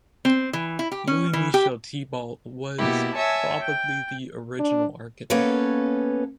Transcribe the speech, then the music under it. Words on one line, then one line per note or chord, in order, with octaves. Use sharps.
Louis Michel Thibault was probably the original architect.
C4
E3
E4
G4
C#4
E3
G4
B2 A#3 E4 G4
C#5 E5 G#5 A5
G5
D4
A#3 B3 C#4 A4 B4 C#5